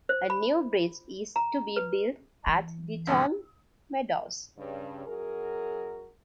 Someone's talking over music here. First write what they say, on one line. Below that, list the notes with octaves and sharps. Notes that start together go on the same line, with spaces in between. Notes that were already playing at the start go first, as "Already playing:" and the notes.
A new bridge is to be built at Ditton Meadows.
C5
B5
A#5
B4
E3
G2 B2 D3
G2 C#3
F#2 F#4 G#4 A#4